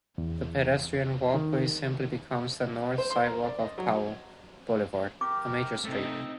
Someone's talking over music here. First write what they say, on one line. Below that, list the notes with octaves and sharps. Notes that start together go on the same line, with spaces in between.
The pedestrian walkway simply becomes the north sidewalk of Powell Boulevard, a major street.
E2
D#3
C5
C6
A#4
D5
D#5
F#3
G4 A#4 D6
C3 A3 C4 D#4 E6